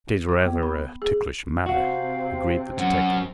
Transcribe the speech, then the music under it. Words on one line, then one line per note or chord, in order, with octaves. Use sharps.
"It is rather a ticklish matter," agreed the detective.
D6
B3
B5
G#4
C3 C4 F#4 F5
F#2 F#5